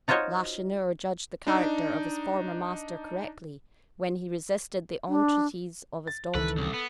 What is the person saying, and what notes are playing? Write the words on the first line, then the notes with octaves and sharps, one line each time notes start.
Lacheneur judged the character of his former master correctly, when he resisted the entreaties of his daughter.
D#4 F4 F#4 C5 C#5 D#5
D4 D#4
D4
A6
C#2 D#3 E3 A4 B4
C2
B3